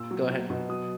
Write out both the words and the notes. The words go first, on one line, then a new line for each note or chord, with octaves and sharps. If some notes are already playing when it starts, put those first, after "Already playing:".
go ahead.
Already playing: A#2 E6
F#3
F#3
B2
F#3 D#6